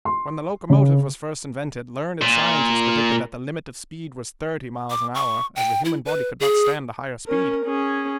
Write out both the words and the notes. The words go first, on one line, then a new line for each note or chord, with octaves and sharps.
When the locomotive was first invented learned scientists predicted that the limit of speed was thirty miles an hour, as the human body could not stand a higher speed.
C6
C#3
A#2
D6
C#6
G5
E4
B4
G#4
C#4 A#4
C#4 G#4